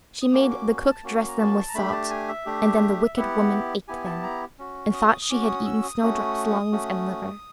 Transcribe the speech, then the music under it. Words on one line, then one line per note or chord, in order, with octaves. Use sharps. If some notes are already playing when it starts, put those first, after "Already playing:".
She made the cook dress them with salt, and then the wicked woman ate them, and thought she had eaten Snowdrop's lungs and liver.
D#6
A#3 C#4 F#4 D6
D6
A5
A#3 C#4 F#4
A#5
A5
A#5
A3 D4 G4 B5
A5
G#5
E5
A3 D4 G4
B3 E4 G4 F#5
B3 E4 G4 G#5
A5
A#5
C#4 F#4
D#6
D#6
C#4 F#4 D6
D6
D#6
E6
D#6
A3 C#4 F#4
A3 C#4 F#4